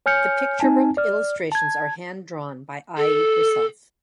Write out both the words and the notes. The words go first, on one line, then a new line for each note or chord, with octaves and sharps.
The picture book illustrations are hand-drawn by Ai herself.
C#5 G#5 F6 G6 C#7
C4 D#4 G#5 A5
D5 F6
A5 G#6
A4